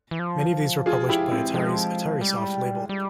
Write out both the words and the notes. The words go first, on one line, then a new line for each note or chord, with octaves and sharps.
Many of these were published by Atari's Atarisoft label.
E3
F3
F4 G#4
E4 G4
C4 E4
E3
F3 G#3
G3
G3